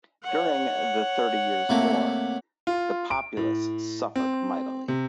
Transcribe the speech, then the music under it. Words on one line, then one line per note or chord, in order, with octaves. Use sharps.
During the Thirty Years' War, the populace suffered mightily.
C#5 F#5
C3 A3 A#3
F4
D7
A2
C4
C3